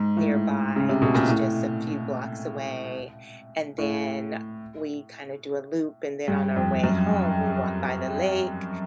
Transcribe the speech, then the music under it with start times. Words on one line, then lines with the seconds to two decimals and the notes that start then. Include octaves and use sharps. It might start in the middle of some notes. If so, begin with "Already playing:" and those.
nearby, which is just a few blocks away, and then we kinda do a loop and then on our way home, we walk by the lake
Already playing: G#2
0.17 A2
0.76 C#3
0.89 C3
1.02 B2
1.15 A#2
1.28 A2
3.78 A2
6.28 G2
6.56 F2
6.84 F#2